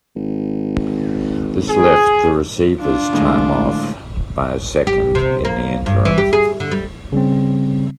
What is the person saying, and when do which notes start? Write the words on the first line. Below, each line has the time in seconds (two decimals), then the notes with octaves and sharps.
This left the receiver's time off by a second in the interim.
0.16 G#1
1.69 G#4
2.79 D4 F4
3.13 A2 D3 G#3
4.87 G4
5.15 C3
5.45 A#3
5.86 G2
6.05 E3
6.18 G4
6.33 G#4
6.60 D3
6.71 G3
7.12 C#3 G3 C4